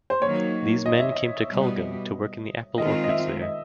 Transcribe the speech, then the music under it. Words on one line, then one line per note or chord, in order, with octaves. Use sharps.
These men came to Kulgam to work in the apple orchards there.
C5
D#3 F#3 A#3 C#5
D#5
E5
D#5
B2 G3 B3
D#3 G#3 C4 F4 D#5
D#5
E5
D#5